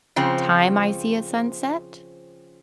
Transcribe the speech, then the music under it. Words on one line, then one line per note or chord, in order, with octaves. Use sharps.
time I see a sunset.
C#3 F3 C4